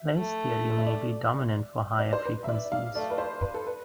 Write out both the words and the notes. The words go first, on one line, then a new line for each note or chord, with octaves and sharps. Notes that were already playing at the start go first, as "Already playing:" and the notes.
Place theory may be dominant for higher frequencies.
Already playing: E5
A3
E5
D5
D5
C5
B4
E5
D5
F5
A3 D5
B4
C5
B4
A4
B4